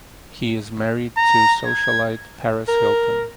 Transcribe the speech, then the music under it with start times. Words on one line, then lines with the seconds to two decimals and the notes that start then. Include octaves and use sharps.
He is married to socialite Paris Hilton.
1.17 A#5
1.66 G#6
2.68 A#4